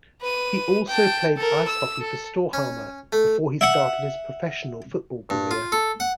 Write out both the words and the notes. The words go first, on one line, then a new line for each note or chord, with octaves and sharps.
He also played ice hockey for Storhamar before he started his professional football career.
B4 D#7
G5 A5
A4 A#4
E6
A4
C#4
A3
E5 F#5
G2
F4
A4
F#5